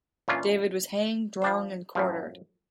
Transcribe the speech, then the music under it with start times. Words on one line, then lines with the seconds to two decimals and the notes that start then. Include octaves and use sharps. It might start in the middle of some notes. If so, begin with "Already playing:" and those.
David was hanged, drawn and quartered.
0.28 A#2 E3 C#4 D4 F4
1.42 F3 D4 C5
1.95 F#2 A2 F3